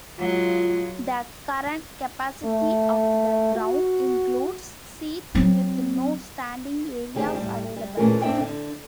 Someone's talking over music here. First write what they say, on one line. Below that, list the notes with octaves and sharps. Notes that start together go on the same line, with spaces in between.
The current capacity of the ground includes seats with no standing areas available.
F#3 G#3 F4
A3
F#4
F#3 C4
D2 D#3 G4 G#4 A#4 C5
A2 G3
G3
A#2 E3 A3 C#4 G#4 A#4
C4 D4 A4 C5 E5 G5
D3